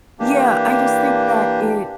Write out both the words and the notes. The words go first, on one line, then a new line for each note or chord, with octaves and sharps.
Yeah, I just think that it
E3 A#3 D4 G4